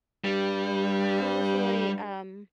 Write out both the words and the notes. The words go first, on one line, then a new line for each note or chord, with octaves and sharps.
it was really, um,
G2 G3